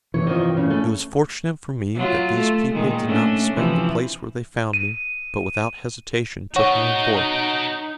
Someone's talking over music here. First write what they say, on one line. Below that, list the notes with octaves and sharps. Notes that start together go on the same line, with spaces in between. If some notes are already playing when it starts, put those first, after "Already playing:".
It was fortunate for me that these people did not inspect the place where they found me, but without hesitation took me on board.
G2 C3 E3 C#5
D#3 F3
A2 C#3
A3 C#4 A4
F#3 F4
A3
A#2 D#3 G#3
A3 C#4 D4
C3 E3 F3
D#7
D#4 F#4 C#5 D#5 F#5 C#6